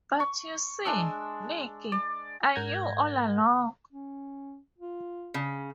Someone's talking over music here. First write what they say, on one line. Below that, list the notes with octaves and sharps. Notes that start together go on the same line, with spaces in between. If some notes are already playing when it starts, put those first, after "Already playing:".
But you see, Niki, I knew all along.
C#6
G#3 D4 E6
D5
G#2 A#4 F#5 G6 G#6 A#6
C#4
F4
C#3